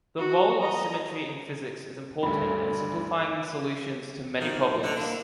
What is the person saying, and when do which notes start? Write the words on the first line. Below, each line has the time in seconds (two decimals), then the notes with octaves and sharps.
The role of symmetry in physics is important in simplifying solutions to many problems.
0.18 F#4
0.60 D#5 A#5
2.23 D2 G2 D4 A4 B5
4.41 D#3 F3
4.83 D3 D#4 D5 A#5
4.96 A#3 D4 E4